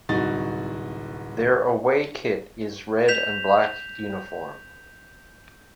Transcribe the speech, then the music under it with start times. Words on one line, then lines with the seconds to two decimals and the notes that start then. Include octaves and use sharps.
Their away kit is red and black uniform.
0.09 D1 C2 D#4 F#4 A6
3.08 G6 B6 E7 F7